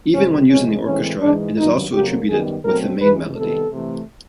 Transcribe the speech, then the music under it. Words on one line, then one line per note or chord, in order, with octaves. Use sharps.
Even when used in the orchestra, it is also attributed with the main melody.
F2 C3 D#3 G3 C#4
E2 C3 F3 G#3 C#4
A2 E3 G#3 C4 C#4
G#2 E3 G#3 D4
G2 D#3 F#3 D#4
F2 C#3 F#3 A#3 G4
F#2 D#3 G3 B3 G#4
B2 F#3 A3 C4 A#4
G2 E3 G#3 B4
C3 D#3 G3 B3 A4
C3 E3 A3